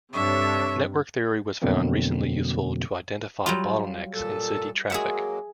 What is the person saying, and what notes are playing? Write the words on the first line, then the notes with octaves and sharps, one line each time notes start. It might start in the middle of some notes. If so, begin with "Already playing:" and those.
Network theory was found recently useful to identify bottlenecks in city traffic.
G2 C3 D4 A4 C#5 E5 C#6
F2 B2 D3 F#3 A#3 C4
F#3 G3 F4
A#2 A4
F#3 G#3 A#3 G#4 E5 F#5